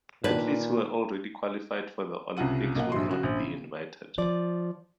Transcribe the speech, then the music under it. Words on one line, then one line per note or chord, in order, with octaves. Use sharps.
Athletes who were already qualified for the Olympics would not be invited.
A#2 D#3 D4 B4
C2 C#3 F4 F#5 D#7
B1 A#3 F#5
A#1 G2 E3 F#3 C6
C#3 F#4
A#1
C#3
F3 D5